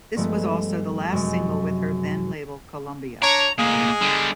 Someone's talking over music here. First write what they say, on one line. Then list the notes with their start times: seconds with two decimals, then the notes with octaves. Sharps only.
This was also the last single with her then label Columbia.
0.16 G2 F3 G#3 A3 B3
1.12 F#2 C3 G#3
3.22 D4 C#5 A#5
3.58 A2 G#3 A#3 G#4
4.01 D3 G3